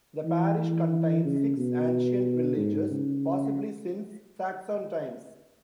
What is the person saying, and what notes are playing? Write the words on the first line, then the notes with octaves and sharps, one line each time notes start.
The parish contains six ancient villages, possibly since Saxon times.
E3
E3
C#3
B2
G#2
C#3